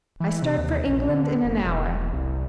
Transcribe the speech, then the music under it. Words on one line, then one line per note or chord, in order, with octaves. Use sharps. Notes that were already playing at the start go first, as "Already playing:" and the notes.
"I start for England in an hour."
E3
C3
D#2
A#1
D3
F1
E1
C2